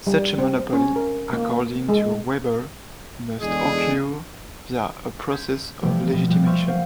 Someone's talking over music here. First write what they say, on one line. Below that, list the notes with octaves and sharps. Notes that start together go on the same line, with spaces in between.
Such a monopoly, according to Weber, must occur via a process of legitimation.
G3
C4
C#4
A#4
A#3
G#3
E2 D3 G#3 G#4
C6 G6 G#6 B6
C3 E3 F3 G3 A3 G4
B2 F3
F3 G3 G5 F#6
C5 E5 C6 C#6 F6 G6
F#3 A#3 C4 C5 F5 F#5